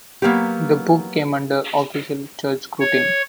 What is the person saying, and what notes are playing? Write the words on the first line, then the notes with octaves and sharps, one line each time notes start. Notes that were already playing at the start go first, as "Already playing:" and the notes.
The book came under official Church scrutiny.
F#3 A#3 B3 G4
C#5